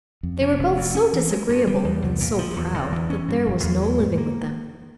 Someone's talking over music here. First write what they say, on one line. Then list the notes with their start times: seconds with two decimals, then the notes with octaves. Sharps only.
They were both so disagreeable, and so proud, that there was no living with them.
0.23 F2
0.41 C3
0.59 F1
0.77 F2
0.95 C#4
1.13 E3
1.31 G#3
1.49 G2
1.67 G3
1.84 E2
2.02 C2
2.20 A#2
2.39 F3
2.56 E2
2.74 E2
2.92 E3
3.10 C#4
3.28 G2
3.46 E1
3.63 E2
3.82 G#3
3.99 G#2
4.18 A#3